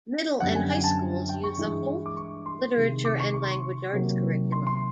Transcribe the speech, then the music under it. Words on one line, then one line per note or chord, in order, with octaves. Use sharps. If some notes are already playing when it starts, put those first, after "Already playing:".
Middle and high schools use the Holt Literature and Language Arts curriculum.
F#2 D3 G3 B3 F#5
G#5
G#5
A5
G5
C#6
G2 E3 G#3
D6
C#6
C6
C3 D#3 G#3
D6
C#6
C#6
C6
C#6
C3 D#3 F#3 A#3
C6
C6